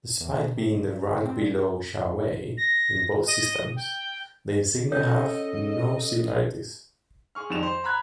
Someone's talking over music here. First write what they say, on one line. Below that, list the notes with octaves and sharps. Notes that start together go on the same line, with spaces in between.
Despite being the rank below Shaowei in both systems, the insignia have no similarities.
E2
B2
C3
G2
C#2
C4
G2
A#6
D#5
G5
C#4 A4 C#5 D#5
G#4 C#6 F6
F2 D#3 G3 E7 F7
C5
A#5 B5 F#6 G#6